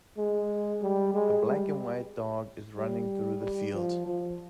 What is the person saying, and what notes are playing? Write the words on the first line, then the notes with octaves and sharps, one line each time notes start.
A black and white dog is running through the field.
G#3
G3
G#3
G3
G3
G3
F3
F3